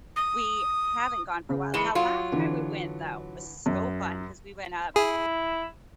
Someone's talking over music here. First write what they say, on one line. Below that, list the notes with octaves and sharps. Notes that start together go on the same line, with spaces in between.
we haven't gone for a while, now last time we went, though, was so fun, 'cause we went up
D#6
C#3
E3 G#3 C#7 E7
F#3 F4
D3 E3
F#2
E4 G#4